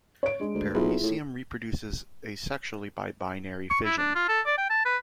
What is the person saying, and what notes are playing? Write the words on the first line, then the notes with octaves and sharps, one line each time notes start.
"Paramecium" reproduces asexually, by binary fission.
C#5 D7
G#3 D4
D2
B1 E4 F4 G#4
A2
C#6
E4
D4
F4
A4
D5
G5
A5
B4